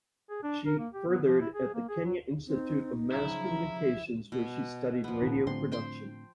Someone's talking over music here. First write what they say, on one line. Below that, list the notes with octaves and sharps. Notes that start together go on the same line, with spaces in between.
She furthered at the Kenya Institute of Mass Communication where she studied radio production.
G#4
D4
A#4
A#3
G4
B3
F3
E4
G#4
A#3
G#4
F#3
C4 D#4
C#3 F3 F#3 E4 A#5
B2
F3 B3
A#2 D#3
A2 D3 C4 C6
C5 G5 C6